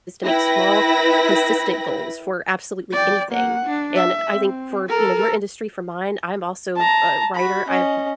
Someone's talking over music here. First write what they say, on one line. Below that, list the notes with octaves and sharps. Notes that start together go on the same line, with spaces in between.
is to make small, consistent goals for absolutely anything. And I think for, you know, your industry, for mine, I'm also a writer. I've
E4 B4 G5 B5 A#6
D5 G5
A#3 F#5
D4
E5
C4
A4 A#4
A5 A#5
F#4 B5
C#4 D#5